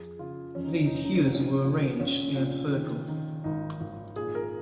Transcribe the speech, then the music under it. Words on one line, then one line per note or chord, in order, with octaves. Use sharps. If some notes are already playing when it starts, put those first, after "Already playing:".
These hues were arranged in a circle.
Already playing: F2 G#4
C#3 F4
F2 C#4
D#4
C#4
D#4
F1 C#4
D#4
C#4
A#1 D#4
C#4
A#2
A#1 C#4
A#2
D#3
D#3
G#1 D#4
G#1
A#2 G#4
A#4